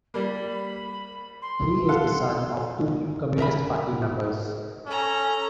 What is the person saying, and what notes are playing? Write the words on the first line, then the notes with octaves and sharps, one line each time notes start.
He is the son of two Communist Party members.
G3 A#3 B5
C6
A4 F5 F#5
A#4 E5 B5
C#4 A4 A#5